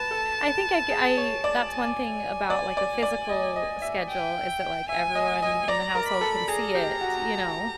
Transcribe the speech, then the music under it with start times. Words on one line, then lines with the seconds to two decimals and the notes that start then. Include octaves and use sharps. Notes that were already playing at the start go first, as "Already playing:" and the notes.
I think I c I, that's one thing about, like, a physical schedule, is that, like, everyone in the household can see it, you know?
Already playing: B4 A5
0.11 A4
0.90 G#4
1.17 C#5
1.44 D5
1.71 G#5
2.50 D5
2.77 D5
3.03 D5
3.29 D#5
3.56 D#5
3.82 E5
4.09 G5
4.89 E5 G#5
5.15 D#5
5.42 D#5
5.68 D5 A#5
5.95 A#4
6.08 B5
6.21 A4
6.48 G#4 A#5
6.75 G4
7.01 F#4